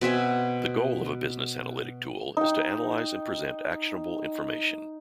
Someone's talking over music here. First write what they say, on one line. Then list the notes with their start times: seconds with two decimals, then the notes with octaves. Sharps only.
The goal of a business analytic tool is to analyze and present actionable information.
0.01 B2 C4 E5 G#5
2.37 D#4 G5